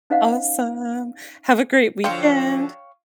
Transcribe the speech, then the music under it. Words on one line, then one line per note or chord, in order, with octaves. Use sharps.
Awesome, have a great weekend.
C#4 D#4 C5 D#5 F5 F#5
D3 F3 F#3 D4 F4 C#5 F5 G5